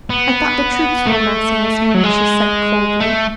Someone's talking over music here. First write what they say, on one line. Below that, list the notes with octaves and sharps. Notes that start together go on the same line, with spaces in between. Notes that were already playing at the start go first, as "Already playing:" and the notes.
"I thought the troops were massing this morning," she said coldly.
B3
A3
F#3
G#3
A3